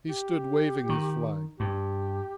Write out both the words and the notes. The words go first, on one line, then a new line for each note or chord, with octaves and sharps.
He stood waving his flag.
G4
D#3
G2 G4